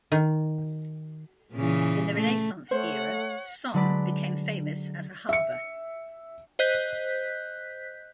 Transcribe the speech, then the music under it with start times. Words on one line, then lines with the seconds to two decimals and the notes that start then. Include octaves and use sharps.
In the Renaissance era, Son became famous as a harbour.
0.12 D#3
1.53 A#2 C#3 E3
2.17 A3
2.71 A3 C5 C#5 F#5
3.74 D3 F#3 G#3 B4 D5 B6
5.29 E5 C#7
6.59 C5 D#5 F#6 G6 B6